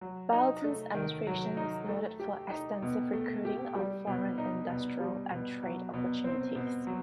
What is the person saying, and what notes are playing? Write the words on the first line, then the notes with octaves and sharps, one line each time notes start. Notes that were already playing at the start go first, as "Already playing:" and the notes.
Blanton's administration was noted for extensive recruiting of foreign industrial and trade opportunities.
F#3
D#4
A3
D#3
F#3
D#4
A3
G4
D#4
B2
A3
G4
G3
B2
D#4
B2
G3
B2
F#3
B2
C4
B2
F#3